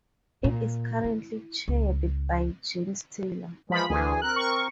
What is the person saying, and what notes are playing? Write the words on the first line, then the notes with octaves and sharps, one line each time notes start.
It is currently chaired by Jane Taylor.
A#2
E4
C#2
E3 F3 G#3 B5
D2 E3 G#4 G#5
C4 A#4 F#6
C#6